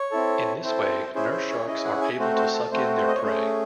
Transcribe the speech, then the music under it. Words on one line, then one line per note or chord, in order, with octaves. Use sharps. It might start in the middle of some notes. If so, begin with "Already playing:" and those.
In this way, nurse sharks are able to suck in their prey.
Already playing: C#5
C4 E4 A4
C4 E4 A4 C5
C#4 E4 G#4 C5
C5
C#5
C#4 E4 G#4 D#5
F#5
G#5
A3 C4 F#4 C5
C5
A4
A3 C4 F#4 C5
C5
D#5
C#5
A3 C#4 G#4 C5